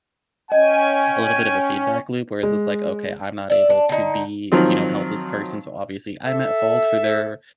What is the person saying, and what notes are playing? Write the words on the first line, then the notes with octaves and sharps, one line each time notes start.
a little bit of a feedback loop, where it's just like, "Okay, I'm not able to be" you know, "help this person, so, obviously, I'm at fault for their
C#4 D#5 G5 G#5
G#3
D5 E5
D4
D3 D#4
D#3 F3 F#3 C4
A4 E5